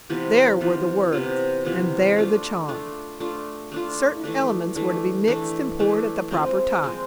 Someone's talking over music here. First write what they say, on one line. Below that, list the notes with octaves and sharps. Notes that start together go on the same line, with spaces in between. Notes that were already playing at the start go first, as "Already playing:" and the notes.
There were the words, and there the charm. Certain elements were to be mixed and poured at the proper time.
C3 E3 B3 F4
C3 E3 B3 F4
C3 E3 B3 F4
C3 E3 B3 F4
A3 D4 F4
A3 D4 F4
A3 D4 F4
A3 D4 F4
E3 A3 D4
E3 A3 D4
E3 A3 D4
E3 A3 D4
F3 G#3 C4
F3 G#3 C4